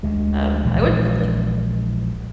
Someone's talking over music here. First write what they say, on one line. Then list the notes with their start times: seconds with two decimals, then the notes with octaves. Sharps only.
Um, I wouldn't, like,
0.03 D2 G#3
0.65 A#1 E3 G#3